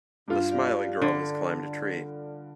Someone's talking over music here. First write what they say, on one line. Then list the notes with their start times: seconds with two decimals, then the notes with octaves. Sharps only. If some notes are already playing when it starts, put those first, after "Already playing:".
The smiling girl has climbed a tree.
0.28 G2 F4
0.51 G4 D5 F5
1.02 D3 A4 D5